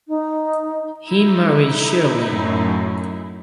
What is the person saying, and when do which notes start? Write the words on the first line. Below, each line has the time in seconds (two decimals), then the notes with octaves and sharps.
He married Shirley.
0.08 D#4
1.08 D#4 E4
2.29 F#2 A2